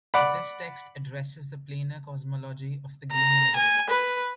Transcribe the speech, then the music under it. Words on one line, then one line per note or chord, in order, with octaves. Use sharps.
This text addresses the planar cosmology of the game universe.
D5 F#5 B5
A#5
G#5
B4